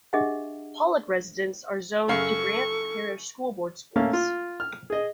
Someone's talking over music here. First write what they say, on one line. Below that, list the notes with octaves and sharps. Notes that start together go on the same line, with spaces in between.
Pollock residents are zoned to Grant Parish School Board schools.
D4 G4 G#4 D#5 E5 F#5
F#2 C#3 A4 F5 C#6
A3 A#3 C#4 F5
F4
F6
G#4 D#5